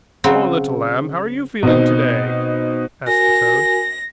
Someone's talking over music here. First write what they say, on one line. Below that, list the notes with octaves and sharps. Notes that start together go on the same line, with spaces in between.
"O, little lamb, how are you feeling today?" asked the toad.
C#3 F#3 C4
B2 C4 D#4
F#4 A#4 G#5 A#6